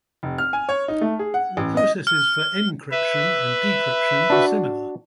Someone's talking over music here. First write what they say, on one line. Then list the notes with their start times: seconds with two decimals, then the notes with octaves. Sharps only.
The processes for encryption and decryption are similar.
0.23 F1
0.38 F6
0.53 G#5
0.69 C#5
0.88 D#4
1.01 A3
1.19 G#4
1.34 F#5
1.57 A1
1.77 D#5
2.07 F6
2.91 B4 E5
4.30 D4 F#4